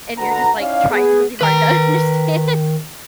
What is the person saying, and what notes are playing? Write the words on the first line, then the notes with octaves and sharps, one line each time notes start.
and you're just, like, trying really hard to understand.
D3 F#4 B4 A#5
C#4 D#4 E4 D5 F5
B3 G#4
D#3 B4 A#5